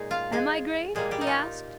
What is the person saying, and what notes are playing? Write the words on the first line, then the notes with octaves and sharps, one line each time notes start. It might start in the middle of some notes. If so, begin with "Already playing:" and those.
"Am I grave?" he asked.
Already playing: A#2 G#3 D#4 G#4
F4 F5
G#3 G#4
A#2 G3 G#3 A#3 G#4
G3 G4
D#4
F4